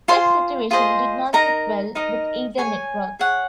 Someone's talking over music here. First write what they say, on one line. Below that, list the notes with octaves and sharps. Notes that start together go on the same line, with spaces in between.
This situation did not sit well with either network.
F4 G#4 C5 C6
F4 G#4 C5 D#5
D#4 A#4 D#5 A#5
D#4 A#4 D#5
G#4 C#5 G#5
G#4 C#5 F#5